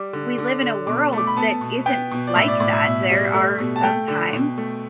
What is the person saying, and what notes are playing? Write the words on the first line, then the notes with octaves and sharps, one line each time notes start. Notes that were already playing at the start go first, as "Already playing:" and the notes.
we live in a world that isn't like that, there are some times
Already playing: G3 D6
D3
D3
D3
B2 D6
A3
D6
B5
B3 A5
B2
B3 G5
B2
D5
A2 E5
D5
A2 D5
E5
B2 E5
G3
A3
B2
A5
A3 G5
D3
B2
A3